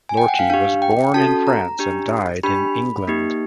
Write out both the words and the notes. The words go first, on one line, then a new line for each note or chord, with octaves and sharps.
Lortie was born in France and died in England.
G#5
G5
F#5
F5
D4 G4 F5
G5
C#4 F#4 A4 A5
A#5
D4 G4
D4 G4 B5
A#3 D#4 G4